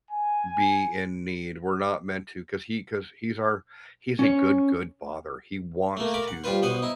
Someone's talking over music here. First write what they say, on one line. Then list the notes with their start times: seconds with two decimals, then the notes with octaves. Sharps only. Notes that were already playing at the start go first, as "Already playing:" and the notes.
be in need, we're not meant to 'cause he 'cause he's our he's a good, good Father. He wants to
0.11 G#5
4.19 C#4 C#5
5.97 A3 A#3
6.14 A#4 B5 D6
6.28 F#5
6.44 G3 F4 B4 C5
6.62 B1 B3 C5 F#5 D#6
6.82 D#4 E4